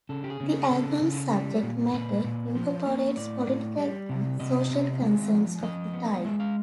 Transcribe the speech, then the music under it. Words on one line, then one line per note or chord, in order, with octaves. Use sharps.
The album's subject matter incorporates political and social concerns of the time.
C#3 A4
G4
G#4
C#3
G#4
C#3 A4
C#3
G3
A#2
A#2 B4
A#2
F3 C5
A#3 C#5
A2 D5
A2
G3
C3
C3 D#5
C4
G#3
F3
F3 D#5
B3
G#3 E5
F5